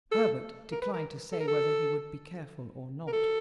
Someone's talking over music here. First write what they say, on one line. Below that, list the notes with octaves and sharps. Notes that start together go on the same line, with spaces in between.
Herbert declined to say whether he would be careful or not.
A4
A#4
B4
A#4
A4
A#4
A4
A#4
A4